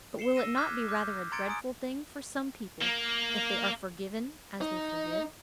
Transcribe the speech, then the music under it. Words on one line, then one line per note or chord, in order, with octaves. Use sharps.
But will it not be rather a dreadful thing for some people if they are forgiven as they forgive?
C7 C#7 E7 G7
E6 A#6 D#7 E7
D6 F6 F#6 G#6 B6
D6 F6 G6
A#5 C6 G#6 A6 C#7 D7
G#5 A#5 D#6 D7
A#3
D#4